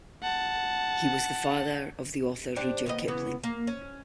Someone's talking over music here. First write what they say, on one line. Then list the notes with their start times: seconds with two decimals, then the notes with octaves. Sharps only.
He was the father of the author Rudyard Kipling.
0.23 F#5 A5
2.56 D4 G4 C5
2.86 D#2 B3 D#5
3.08 C#3 E3 B3
3.43 A#3
3.67 C#4